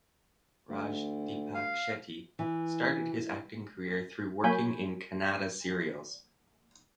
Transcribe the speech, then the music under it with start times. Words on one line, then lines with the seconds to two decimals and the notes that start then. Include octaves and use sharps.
Raj Deepak Shetty started his acting career through working in Kannada serials.
0.69 D2
1.55 F5
2.39 E3
4.43 F#3 A#3 C#5 G#5 B5 G6